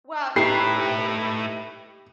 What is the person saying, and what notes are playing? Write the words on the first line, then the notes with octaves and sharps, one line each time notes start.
Well, you know what, i
A2 A3 D#4 E4 G4 B4 E5 C7